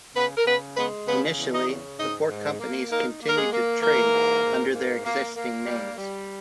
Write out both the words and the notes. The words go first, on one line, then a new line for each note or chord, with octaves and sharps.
Initially, the four companies continued to trade under their existing names.
C#3 B3 B4
A#4
C#3 B3 B4
G#3 B3 B4
C#3 B3 B4
E2
D#4 D#5
C#3
G#2 D#4 D#5
G#2
A#3
A#3 D#4 A#4
A#3
A#4
G#3 G#4
A#3
E3 A#3 A#4
G#2
G#2
A#3
A#3
A#3
G3
G3